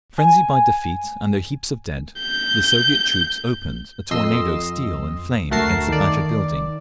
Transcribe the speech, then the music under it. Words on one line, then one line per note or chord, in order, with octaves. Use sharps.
Frenzied by defeat and their heaps of dead, the Soviet troops opened a tornado of steel and flame against the battered building.
G#5
G6
F2 D#5 C6 E6
D2 A3 F#4 A#4 A5 C7
D#3 D5